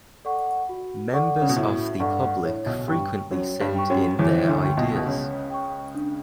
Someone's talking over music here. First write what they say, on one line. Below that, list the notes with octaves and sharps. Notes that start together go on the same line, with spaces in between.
Members of the public frequently sent in their ideas.
A4 D5 F#5 C#6
F#4
A4 D5 F#5 C#6
C#3
B2
A2 F#4
G2 A4 D5 F#5 C#6
A2 C#5
B1 B2
G2 G3 G5 C#6
F#2 F#3 C#5
G2 G3
G5 C#6
F#2 F#3
E2 E3 C#5
E3
D2 D3
G5 C#6
B1 B2
B2
C#2 C#3 C#5
G5 C#6
D4